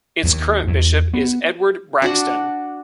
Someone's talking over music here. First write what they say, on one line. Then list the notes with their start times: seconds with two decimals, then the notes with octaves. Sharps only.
Its current bishop is Edward Braxton.
0.23 D#2
0.67 E2
1.14 B3
2.02 D4 F#4 F#5